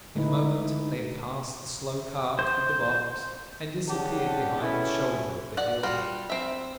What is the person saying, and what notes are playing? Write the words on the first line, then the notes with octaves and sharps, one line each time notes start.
In a moment they had passed the slow cart with the box, and disappeared behind the shoulder of the hill.
D3 G#3 A3 D#4 E4 B4
C5
C#3 G3 G4 F#5 A5
C#3 A3 B3 C#4 E4
D5 F#5
G3 F4 F#4
C4 E5